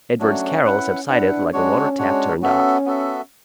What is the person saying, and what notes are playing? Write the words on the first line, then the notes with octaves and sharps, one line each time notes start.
Edward's carol subsided like a water-tap turned off.
F#3 A3 C#4 D4 F#4
C#4 E4 B4 F#5
D4 E4 B4 F#5
G#3 C#4 D4 F#4 C#5
G#3 D4 F#4 C#5
B3 C#4 F#4 A4 E5
B3 F#4 A4 E5